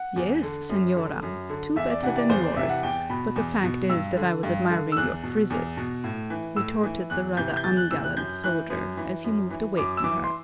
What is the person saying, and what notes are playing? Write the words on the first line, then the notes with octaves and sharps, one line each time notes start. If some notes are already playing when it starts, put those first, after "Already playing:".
"Yes, senora, two better than yours, but the fact is that I was admiring your frizzes," retorted the rather ungallant soldier as he moved away from her.
Already playing: F#5
E2
D3
F#2
D3
F#2
D3
E2 E5
D5
C3 E3 F#5
D5
E2 C5
D5
C3 E3 E5
F#5
E2 G5
B2 B5
E2
B2
G2 E6
D3
G2
D3
E6
E2 F#6
B2
E2
B2
A2
E3
A2 E6
E3
E2 F#6
C3 E3 G6
G6
E2 A6
F#6
C3 E3 E6
F#6
F#2 G6
E3 F#6
F#2
E3
F#2
E3
F#2 D6
E6
E3 D6
C6